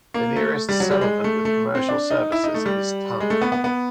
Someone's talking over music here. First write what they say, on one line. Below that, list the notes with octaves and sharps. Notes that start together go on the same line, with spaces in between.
The nearest settlement with commercial services is Tongue.
A#3
A3
G3
F#3
G3
G#3
A3
A3
C4
D4
D#4
E4
D#4
A3
G3
G#3
A3
B3
B3
B3